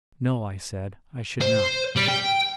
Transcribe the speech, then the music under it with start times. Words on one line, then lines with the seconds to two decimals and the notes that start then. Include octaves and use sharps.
No, I said, I should not.
1.41 C5
1.96 G3
2.08 G5